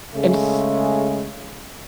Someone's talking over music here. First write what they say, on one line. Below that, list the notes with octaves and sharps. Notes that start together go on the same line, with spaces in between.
And s
C#3 G#3 A3